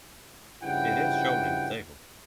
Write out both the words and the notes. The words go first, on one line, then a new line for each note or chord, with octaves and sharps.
It is shown in the table.
G2 C#3 F3 E4 F#5 G5